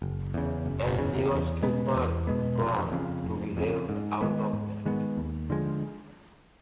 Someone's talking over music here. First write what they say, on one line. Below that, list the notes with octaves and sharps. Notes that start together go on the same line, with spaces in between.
And he was too far gone to be helped out of that.
F#1
E2 C#3
F#1
E2 C#3
E2
B2 G#3 B3
E2
B2 G#3 B3
F1
F2 C#3
F1
F2 C#3
G#2
D#3 G#3 B3
G#2
D#3 G#3 B3
D#2
D3 F3 G#3